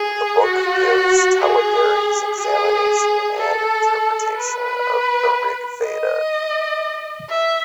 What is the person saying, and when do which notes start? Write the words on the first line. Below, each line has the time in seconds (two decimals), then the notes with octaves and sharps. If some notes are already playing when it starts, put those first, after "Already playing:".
The book gives Talageri's examination and interpretation of the Rig Veda.
Already playing: G#4
0.43 F#4
1.41 G#4
2.38 G#4
3.37 A4
4.35 B4
5.83 D#5
7.29 E5